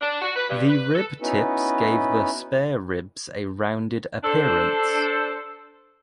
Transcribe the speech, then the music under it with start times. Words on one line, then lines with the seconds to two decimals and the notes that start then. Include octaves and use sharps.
The rib tips give the spare ribs a rounded appearance.
0.01 D4
0.21 F#4
0.35 B4
0.49 G2
0.68 B4
0.94 A4
1.21 B3 C#4 D#4 E4 F#4 B4
4.23 D4 A4 C5